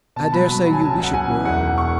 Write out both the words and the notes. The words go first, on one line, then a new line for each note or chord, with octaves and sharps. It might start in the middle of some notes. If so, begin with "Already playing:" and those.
"I dare say you wish it were."
B2 A5
F#3 B5
F#3 B5
F#3 A5
G#5
C#2 A5
C#2
F#5
C#2 G#5
E3
E1 F#5
E3
C#6